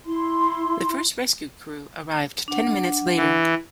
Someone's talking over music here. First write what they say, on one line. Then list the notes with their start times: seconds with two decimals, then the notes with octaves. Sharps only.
The first rescue crew arrived ten minutes later.
0.05 E4 C6
2.48 D4 F#5
3.17 E3